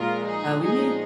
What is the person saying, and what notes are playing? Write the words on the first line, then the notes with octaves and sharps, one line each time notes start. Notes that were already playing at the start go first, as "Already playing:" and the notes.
uh, we made
Already playing: A#2 F3 G#3 F4 A#4
D#4 G#4
A#2 F3 G#3 D#4 G#4